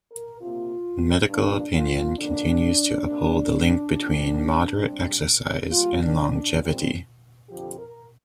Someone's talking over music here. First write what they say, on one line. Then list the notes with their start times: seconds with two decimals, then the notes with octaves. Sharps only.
Medical opinion continues to uphold the link between moderate exercise and longevity.
0.12 A#4
0.41 C3 A#3 F4
1.30 G2 F3 A#3 D4
1.74 F4
2.18 F2 D3 A#3 D4
3.07 C3 A#3
3.95 A#2 F3 C4
4.84 C3 G3 C4
5.72 A#2 G3 A#3 F4
6.02 D4
6.31 D4
6.61 A#2 G3 C4
7.49 F2 D3 F3 G4
7.79 A#4